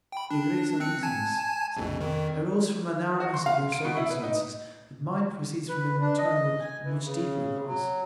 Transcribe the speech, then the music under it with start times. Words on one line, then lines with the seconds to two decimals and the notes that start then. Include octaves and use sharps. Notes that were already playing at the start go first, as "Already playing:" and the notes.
Your greatest Uneasiness, said he, arose from the Narrowness of your Circumstances; but mine proceeds from an internal, and much deeper Cause.
0.12 G5 B5
0.31 D4
0.80 C4 F#6 C#7
1.03 G#5 A5 G#6
1.77 A#1 F2
2.00 F2 D#3
3.20 F#4
3.34 C6
3.46 F5
3.72 D7
3.85 B2
3.97 E4
4.11 B4
4.23 D#4
5.69 B4
6.00 D4
6.18 D#5
6.61 G#5
6.84 E3
7.04 C#3
7.66 F#3